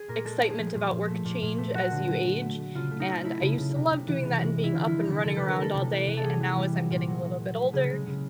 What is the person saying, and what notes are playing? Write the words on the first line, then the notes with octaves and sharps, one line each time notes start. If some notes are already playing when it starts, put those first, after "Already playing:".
excitement about work change as you age? And I used to love doing that and being up and running around all day, and now as I'm getting a little bit older,
Already playing: G#4
A#2 A#4
G#3 A4
G#3
G#4
F3
A#2
A#2
A3
A#2
A#2
A3
F#3 F#4
D3
F#3
D3
A3
A3
C#3 F4
A3
D#4
A3
A3 E4
C#3
C#3
C3
C3
E3
G#3
G#3
C3
E4
D3 F4
F3 E4
D#4
D3 E4
D3 A4
D3 B4
A#4
A3 A4
C3
E3
E3
A4
G3 G#4
E3
G3
F#3
A#2
F#3
F#3
F#3
A3
C#3 G#4
G#3
C#3